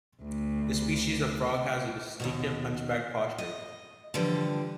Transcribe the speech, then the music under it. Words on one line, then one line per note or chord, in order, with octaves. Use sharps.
This species of frog has a distinctive hunch-backed posture.
D2
D#2 G#2 B2
D#5
D3 E3 F3 G3